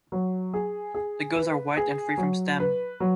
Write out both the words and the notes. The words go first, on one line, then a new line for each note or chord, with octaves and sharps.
The gills are white and free from the stem.
F#3
G#4
G#4
B4
G#4
F#3
B4
F#3